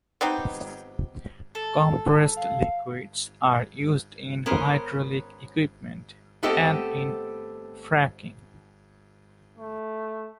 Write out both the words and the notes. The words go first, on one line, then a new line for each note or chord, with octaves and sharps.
Compressed liquids are used in hydraulic equipment and in fracking.
B3 C4 D#4 G4
A4
F5
B3 C#4 A#4 C5
A3 B3 C4 G4 A4 D#5
A3